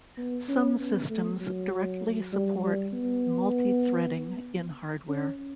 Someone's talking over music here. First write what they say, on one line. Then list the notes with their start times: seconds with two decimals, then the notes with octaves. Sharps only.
Some systems directly support multi-threading in hardware.
0.18 B3
0.49 C#4
0.80 B3
1.09 A3
1.40 F#3
2.33 G3
2.64 G3
2.94 B3
5.09 C#4